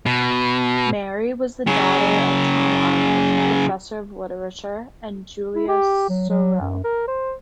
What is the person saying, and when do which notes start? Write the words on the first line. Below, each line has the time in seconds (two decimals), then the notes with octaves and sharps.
Mary was the daughter of Tom Arnold, a professor of literature, and Julia Sorrell.
0.06 B2
1.67 C#3 F#3
5.55 E4
5.68 G4
6.10 F#3
6.29 F#3
6.61 F#2
6.84 A#4
7.08 C5